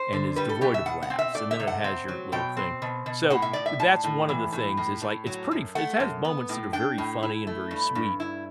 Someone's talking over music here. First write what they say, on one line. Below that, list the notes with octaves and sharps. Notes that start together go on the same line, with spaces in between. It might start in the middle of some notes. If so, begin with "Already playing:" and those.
and is devoid of laughs, and then it has your little thing. So, that's one of the things, is, like, it's pretty f it has its moments that are very funny and very sweet,
Already playing: C5
D3
G3 B4
A4
B2 G4
E5
B2 F#5
F#5
C4
E5
A3 D5
E5
C3
F#5
C4
F#3
B2 G5
C4
B2
B2
A2 F#5
E5
A2 D5
E5
A2 A5
A2
E3
A2
A2
A2
F#3
F#2
A3 F#5
F#2
B3
A2
D4 G5
A2
E4
A3
G2
G2
E4